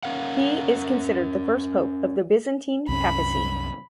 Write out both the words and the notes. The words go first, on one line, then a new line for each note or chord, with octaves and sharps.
He is considered the first pope of the Byzantine Papacy.
C#4 A#4 F5 F#5
C2 F#2 C#4 B5